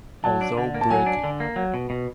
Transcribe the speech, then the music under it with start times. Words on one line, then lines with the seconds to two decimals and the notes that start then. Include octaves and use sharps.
Although Brig.
0.24 F#3 A5
0.41 D4
0.57 D3
0.74 A#3
0.81 A5
0.90 F#3 G#5
1.06 D4
1.24 D3
1.40 A#3
1.56 F#3
1.74 B2
1.90 B2